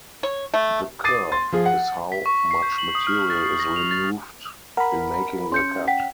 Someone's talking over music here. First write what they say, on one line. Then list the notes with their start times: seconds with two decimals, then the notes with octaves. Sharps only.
The kerf is how much material is removed in making the cut.
0.23 C#5
0.54 A3
1.04 D6 D#6 A6 C7 D#7
1.32 C6 A6
1.52 F3 F4 G#4
1.66 F#5
2.12 B6
2.26 C#6
2.51 C7
2.63 G6
2.78 F#7
2.95 D#6
3.07 F6
3.30 A6
3.44 C7
3.60 A#6
3.76 F7
3.91 A6
4.77 A#4 F#5 B5
5.52 C#4 C6 G6 C#7
5.87 F#5 G5 B6